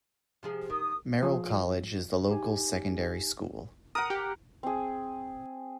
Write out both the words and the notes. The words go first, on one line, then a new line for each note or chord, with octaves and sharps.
Merrill College is the local secondary school.
C3 F3 G#4
D#3 D#6
F3 G#4
D#4 G4 G#5
A#4 F#5 D#6
G4
C4 G#4